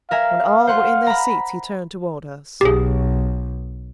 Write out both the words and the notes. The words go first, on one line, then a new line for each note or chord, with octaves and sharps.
When all were in their seats he turned toward us.
A#4 E5 F5 G#5
C5 F#5 C6
A#5 B5
B1 G4 G#4